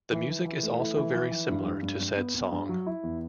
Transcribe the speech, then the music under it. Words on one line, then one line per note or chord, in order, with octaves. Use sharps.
The music is also very similar to said song.
E3
E3
E3
A3
E4
E3
E3
E3
G2
G2
G2
G2
B3
B3
G2
F#3
E4
E2